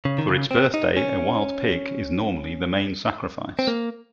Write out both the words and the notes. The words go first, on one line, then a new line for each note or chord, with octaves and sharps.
For its birthday a wild pig is normally the main sacrifice.
C#3
D#3
C#3
C4
D#4
C#4
C4
A#3